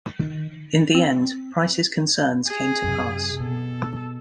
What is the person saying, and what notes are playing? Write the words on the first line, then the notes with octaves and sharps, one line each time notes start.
In the end, Price's concerns came to pass.
D#3
C4
G#4
F#2 C3
B2 A4